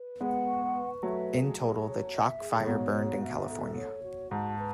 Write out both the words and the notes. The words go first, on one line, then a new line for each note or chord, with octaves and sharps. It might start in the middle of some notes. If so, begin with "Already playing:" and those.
In total the Chalk Fire burned in California.
Already playing: B4
G#3 B3 F#5
C#6
B4
F#3 A3 E5
G#4
G#4
C#5
E5
G#4
A2
G#2 B2 C#5
F#4
E5
A4
C#5
F#4
G#2 A5
B4